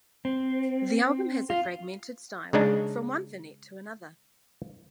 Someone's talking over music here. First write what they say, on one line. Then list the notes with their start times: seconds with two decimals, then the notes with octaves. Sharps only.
The album has a fragmented style: from one vignette to another.
0.25 C4
1.50 F4
2.53 C#3 G#3 D4 D#4